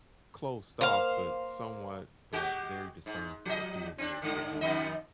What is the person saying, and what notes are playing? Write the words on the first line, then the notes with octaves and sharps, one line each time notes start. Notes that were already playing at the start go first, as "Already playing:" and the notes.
closed off, but somewhat, uh, very discernful of who it is that we
A#3 C5 F5
G#3 F#4 G4
G#2
F3 D#5
C4 D4
G2 D3
F2 D#3 D#5